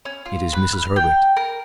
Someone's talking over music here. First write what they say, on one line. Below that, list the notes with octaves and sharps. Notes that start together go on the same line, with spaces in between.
"It is Mrs. Herbert."
C#4
F4
B4
F6
G5
A#4